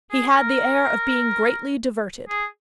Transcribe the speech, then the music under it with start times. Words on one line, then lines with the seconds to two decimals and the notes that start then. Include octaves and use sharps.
He had the air of being greatly diverted.
0.11 G#4
0.34 A#4
2.29 G#4